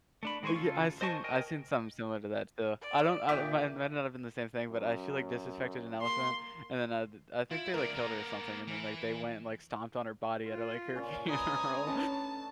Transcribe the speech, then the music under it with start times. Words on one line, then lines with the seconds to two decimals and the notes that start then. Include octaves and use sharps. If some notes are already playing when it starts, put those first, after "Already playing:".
Ye I've seen I've seen something similar to that, though. I don't I might it might not have been the same thing, but I she, like, disrespected an elephant, and then I d I think they, like, killed her or something, and then, like, they went and, like, stomped on her body at, like, her funeral.
0.23 A3 D4 B5
0.43 D#3 G#3 C5 G#5 C#6
0.55 C#3 F4 A4
1.01 C5 D#5 G#5 A5 C#6
1.24 A#4 D#5 G5 G#5
2.81 D5
3.29 A#2 D#3 G4 E5 D6
4.69 F#2
6.02 A#3 C6
7.51 E4 F4
7.74 C#2 A#4 D5
7.95 A#3 B3
8.68 E3
10.46 F4
10.96 A#2 C#3 C#4
11.28 G#3 B4 D#5 G#5 A#5 D#6
11.87 A3 C#4 D4 A5